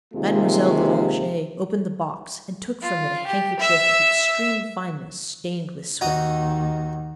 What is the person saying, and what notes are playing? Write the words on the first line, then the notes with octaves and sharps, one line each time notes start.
Mademoiselle de Langeais opened the box and took from it a handkerchief of extreme fineness, stained with sweat.
D#2 C3 G#3 F4
F4
G4
E5 E6
D#2 D#3 D#4 F#4 D#6